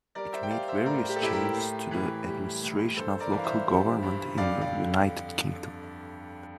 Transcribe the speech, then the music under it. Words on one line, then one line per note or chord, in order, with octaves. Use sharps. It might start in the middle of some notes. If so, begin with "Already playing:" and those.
It made various changes to the administration of local government in the United Kingdom.
G3 A#4 D5
C5 E5
G5
G3 D5 F5
C5 E5
A2 A#4 D5
G4
A4
A2 E4 G4
G4 A#4
A2
E3
G3
A2
G2 A4 C5
A#4 D5
E3
F5
C5 E5
G3
G2
F2 D5 F5
D5 F5
D3